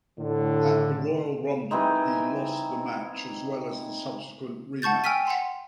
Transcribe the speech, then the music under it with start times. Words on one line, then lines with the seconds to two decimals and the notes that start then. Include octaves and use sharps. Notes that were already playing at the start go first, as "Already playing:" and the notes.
At the Royal Rumble, he lost the match, as well as a subsequent rematch.
0.18 A2 D3
1.71 E3 G3 C4 D#4
4.82 F#5 A5 C#6 G6 A6
5.04 G5 G#5 E6 F6 B6 D#7
5.27 F#5 C6